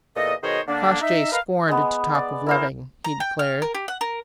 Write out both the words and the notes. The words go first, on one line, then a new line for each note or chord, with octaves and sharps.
Crossjay scorned to talk of loving, he declared.
E2 A#2 A4 D#5
B2 D#3 G#4 C5 C#5 D#5
D3 A#3 D4
D#4 E5
A#4 B4 D#5 F5
G#3 B3
D5
E4 A#4 C5
A#5
G5
F6
A#4
G4
F#5
A#4